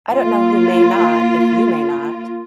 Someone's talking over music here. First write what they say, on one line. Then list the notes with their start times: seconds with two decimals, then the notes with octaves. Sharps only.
I don't know who may not, if you may not.
0.12 A#3 F4